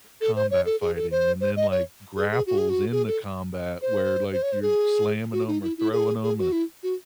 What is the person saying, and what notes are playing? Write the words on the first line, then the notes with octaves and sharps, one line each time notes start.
combat fighting and then, like, grapples in the combat where, like, you're slamming 'em or throwing 'em, uh,
A4
C5
C#5
A4
G#4
A4
C5
C5
D#5
C#5
G#4
G#4
F#4
G#4
F#4
G#4
A4
C5
C5
C#5
C5
G#4
F#4
D#4
E4
E4
G#4
G#4
F#4
E4
F#4